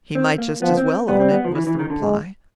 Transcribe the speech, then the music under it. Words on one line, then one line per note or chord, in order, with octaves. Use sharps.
"He might just as well own it," was the reply.
C4
A#3
F3 B3
C4
G3 B3
C4
B3
F3
E3
E3
D#3
D3
G#3